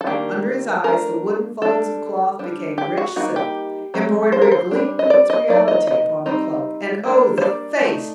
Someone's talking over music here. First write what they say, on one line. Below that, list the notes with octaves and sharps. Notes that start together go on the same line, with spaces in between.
Under his eyes the wooden folds of cloth became rich silk, embroidery gleamed in its reality upon the coat, and oh! the face!
A4
D#3 G3 A#3 D4 G4
A3 D4 A#4
G3 D4 A4
G3 D4
G4
F#4
G3 A#3 D#4 F#4
G4
F#3 A3 C4
C5
A#4
C5
G3 D4
D#5
D5
D#5
F#3 A#3 D#4 D5
D#5
D#5
G3 C4 D#4
G3 A#3 D4
C5
D5
A3 D#4